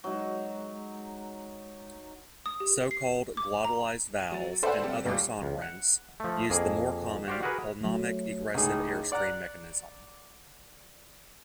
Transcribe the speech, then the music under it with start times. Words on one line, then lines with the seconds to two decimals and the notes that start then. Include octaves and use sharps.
So-called glottalized vowels and other sonorants use the more common pulmonic egressive airstream mechanism.
0.04 F#3 G#3 D#4
2.46 D#6
2.60 G4
2.91 C7
3.37 D6
3.65 A#5
4.20 D#7
4.32 F#3 A6
4.63 A4 B4 C5 D5 E5 F#5
4.81 C3 G3 G4
5.05 D#1 A#2 G3
5.42 C#2
5.62 F#5
6.20 F3 A3
6.50 F2 A#3 G#4
7.28 F#4 G4 C5 D5 F5
7.43 F#4 G#4 A#4 B4
7.81 F#3 A3
8.54 C#2 A2 D#4 G#4
9.12 D5 F#5 A#5 F#6